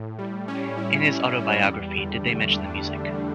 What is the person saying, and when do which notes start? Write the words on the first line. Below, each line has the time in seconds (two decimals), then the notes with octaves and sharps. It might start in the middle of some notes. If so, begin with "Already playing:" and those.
In his autobiography Did They Mention the Music?
Already playing: A2
0.19 G3
0.48 C#4
0.78 E4
1.07 A2
1.37 G3
1.67 E2
1.96 D3
2.26 A3
2.54 D4
2.85 E2
3.15 D3